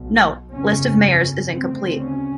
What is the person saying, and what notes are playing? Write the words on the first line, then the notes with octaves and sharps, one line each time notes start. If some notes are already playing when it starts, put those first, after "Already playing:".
Note: List of Mayors is incomplete.
Already playing: B1 B2
G1 F2 C#3 C#4
D2 C#3 C4
C#4